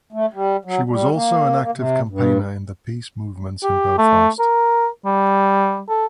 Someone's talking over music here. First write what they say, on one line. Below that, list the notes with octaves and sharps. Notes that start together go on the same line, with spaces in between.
She was also an active campaigner in the peace movements in Belfast.
A3
G3
F#3
G3
A#3
A#3
C3
G2
G4
A3
A#4
G3
A4